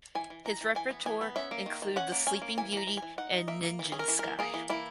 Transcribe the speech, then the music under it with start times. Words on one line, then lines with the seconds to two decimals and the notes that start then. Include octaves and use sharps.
His repertoire include "The Sleeping Beauty" and "Nijinsky".
0.15 E3 G#5
0.30 E3
0.45 E3 A#5
0.61 E3
0.75 E3 G#5
0.91 B3
1.06 E3 G#5
1.21 B3
1.36 C#4 E5
1.51 A#3
1.66 D#3
1.82 D#3
1.96 C#4 F#5
2.12 A#3
2.27 C#4 G#5
2.42 A#3
2.58 E3 G#5
2.72 E3 A#5
2.87 E3
2.97 G#5
3.02 E3
3.18 D#4 F#5
3.33 D#4
3.48 A#3 E5
3.63 A#3
3.79 E3
3.92 C#4 G#4
3.99 A#4
4.08 E3
4.19 E3 A#4
4.39 A#3 G#4
4.54 E3
4.70 A#3 E4